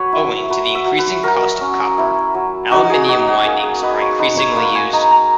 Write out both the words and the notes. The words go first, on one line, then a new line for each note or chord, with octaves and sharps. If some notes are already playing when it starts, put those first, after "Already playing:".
Owing to the increasing cost of copper, aluminium windings are increasingly used.
Already playing: F#3 B4 C#5
E4
F#3 B4
E5
F#3
B4
F#3 A#4
C#4
E4
F#3
D#4 F#4
G#4
G#4
D#4 F#4
F#4
A#3 G#4
G#4
D#4 B4
C#5
D#4 B4
C#5
A#3 B4
G#5
D#4 A#5
A#5